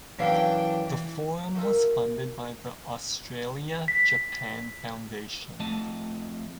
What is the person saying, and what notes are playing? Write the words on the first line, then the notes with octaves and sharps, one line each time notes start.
The forum was funded by the Australia Japan Foundation.
F#2 E3 D4 F5 G5
E3
A3 A#3 D#4 F4 F#4 A4
B6
F2 A3 D#5 A5